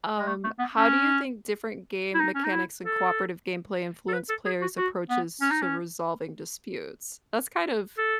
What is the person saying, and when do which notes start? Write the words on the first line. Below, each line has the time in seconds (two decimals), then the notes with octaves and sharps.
Um, how do you think different game mechanics and cooperative gameplay influence players' approaches to resolving disputes? That's kind of
0.18 G#3
0.27 A3
0.44 A3
0.59 B3
0.75 C#4
2.14 E4
2.19 D#4
2.35 C#4
2.44 D#4
2.52 E4
2.84 A4
4.08 A4
4.13 B4
4.29 A4
4.45 G#4
4.61 F#4
4.78 F#4
5.09 B3
5.41 C#4
5.51 D#4
5.62 C#4
7.98 A4